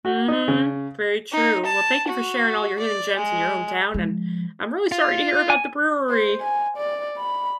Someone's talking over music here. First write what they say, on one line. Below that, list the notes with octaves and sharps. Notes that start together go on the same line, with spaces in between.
Mhm, very true, well thank you for sharing all your hidden gems in your hometown, and I'm really sorry to hear about the brewery.
F#4
D#4
C#3
D#4
A5
F#4
D5
G#3
F3 G#3
F4
G#5
C5
G#5
D5
B5